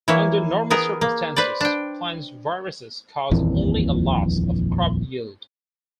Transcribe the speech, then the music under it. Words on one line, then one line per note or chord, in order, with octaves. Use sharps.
Under normal circumstances, plant viruses cause only a loss of crop yield.
E3 A#3 E4 C#5
B3 G#4 A#4
A#3
B4 C5 D5
D4 G5
D#1 A#1 F2 E3